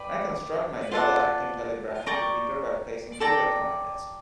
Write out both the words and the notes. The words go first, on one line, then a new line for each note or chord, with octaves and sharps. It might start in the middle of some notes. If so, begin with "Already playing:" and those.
I construct my double-acting telegraphic repeater by placing two electromagnets.
Already playing: B4 D5 G5
F4 A4 D5 F#5
D5 G5 A#5 C#6
A4 D5 G5 A#5